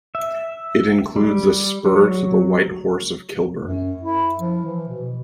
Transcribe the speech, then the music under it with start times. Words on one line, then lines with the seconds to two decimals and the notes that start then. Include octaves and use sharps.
It includes a spur to the White Horse of Kilburn.
0.15 E5
1.16 G3
1.85 F#3
3.66 F#2
4.02 E4
4.40 F3
4.65 E3
4.88 B2